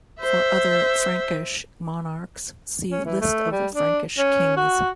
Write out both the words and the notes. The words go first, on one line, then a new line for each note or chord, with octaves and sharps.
For other Frankish monarchs, see List of Frankish kings.
C5 E5
C#4
E3
A3
G3
D4
C#4
F#4